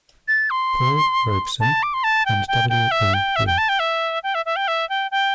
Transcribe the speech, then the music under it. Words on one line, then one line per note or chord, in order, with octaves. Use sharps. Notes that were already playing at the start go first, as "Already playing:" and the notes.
Paul Robeson and W. E. B.
A6
C6
A5
D6
C6
A5
G5
G5
G5
E5
G5
E5
G5
A5
G5
E5
G5
E5
E5
G5
E5
G5
G5